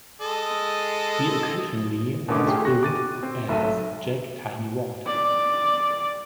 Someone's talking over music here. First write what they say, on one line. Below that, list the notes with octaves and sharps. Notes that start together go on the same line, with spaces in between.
He occasionally was billed as Jack "Tiny" Ward.
G#3 A4 D#5
B2 D3 D#3 A3 C#4 D6
A3 F4 G4 G#4
C#6 F#6 A#6
D6 A6 D#7
C4
F#1 B1 A3 E5 D#7
D5